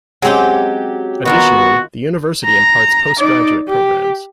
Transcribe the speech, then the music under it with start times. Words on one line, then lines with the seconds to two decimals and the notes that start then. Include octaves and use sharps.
Additionally, the university imparts postgraduate programmes.
0.22 F#3 G#3 C4 C#4 G4
1.25 D#3 B3 F4 F#4 A#4
2.45 A#5
3.18 D#4 D5
3.69 G4